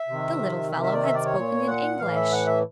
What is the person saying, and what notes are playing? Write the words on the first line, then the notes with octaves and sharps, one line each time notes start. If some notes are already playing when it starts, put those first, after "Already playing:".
The little fellow had spoken in English.
Already playing: E5
C3 D#3
C3 D#3 E5
E5
D5
E5
D5
C#5
A#2
F#5
A2 E3 F5
E5
F#5
E5